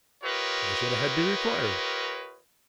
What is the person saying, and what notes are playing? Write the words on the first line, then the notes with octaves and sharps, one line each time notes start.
Why should a head be required?
F4 G4 A#4 B4 C#5 D#5